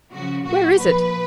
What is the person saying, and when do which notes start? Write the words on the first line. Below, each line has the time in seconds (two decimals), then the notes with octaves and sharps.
"Where is it?"
0.12 C#3 F3 F#4
0.45 A#2 F#3 F#4
0.79 A#2 F3 B4